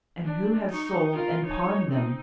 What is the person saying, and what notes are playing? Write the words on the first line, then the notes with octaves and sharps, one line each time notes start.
"And who has sold and pawned them?"
D4
D#4 C#6
F4 A#4
D#4 C#5
C4 D#4